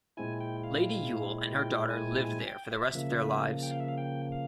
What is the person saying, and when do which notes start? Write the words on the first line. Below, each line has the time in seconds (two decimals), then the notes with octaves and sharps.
Lady Yule and her daughter lived there for the rest of their lives.
0.17 A#2 G#3 C4 E4 G#5
0.41 G5
0.64 F5
1.55 G5
1.90 G#5
2.24 G#5
2.47 G5
2.71 E5
2.93 C#3 F3 A#3
3.63 G5
3.71 F5
3.80 E5
3.88 F5
3.98 G5
4.32 F5